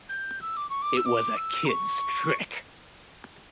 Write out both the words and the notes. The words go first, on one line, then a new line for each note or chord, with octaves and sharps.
It was a kid's trick.
G6
E6
D6
C#6
D6
E6
D6
E6
A#5
C#6